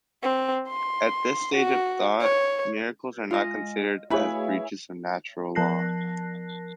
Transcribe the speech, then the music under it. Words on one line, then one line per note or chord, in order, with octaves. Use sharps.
At this stage of thought, miracles are not considered as breaches of natural law.
C4
C6
F#4
C#5
G#3 F4 D#5 G#5
A3 E4 F#4 G#4 B4 C#5 F5 B5
F3 A#4 A5 F#6 A#6 C7